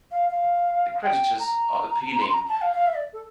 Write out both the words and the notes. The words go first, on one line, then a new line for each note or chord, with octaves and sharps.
The creditors are appealing.
F5
F5
G5
A#5
A#5
C6
A#5
A5
F5
F5
E5
D5
A4